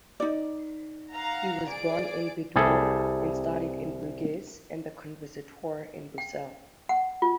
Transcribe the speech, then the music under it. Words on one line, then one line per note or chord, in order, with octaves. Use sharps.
He was born in Bordeaux and studied in Bruges and the conservatoire in Brussels.
D#4 D5
F5 F#5 A#5
G#4 D5 D7
C2 G3 G#4 A4
G5
F#5
F4